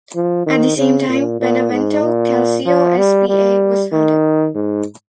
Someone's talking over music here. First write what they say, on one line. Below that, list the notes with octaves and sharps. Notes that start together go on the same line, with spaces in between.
At the same time Benevento Calcio S.p.A. was founded.
F3
D#3
C#3
A#2
A#2
G#2
A#2
F3
G3
G3
D#3
G#2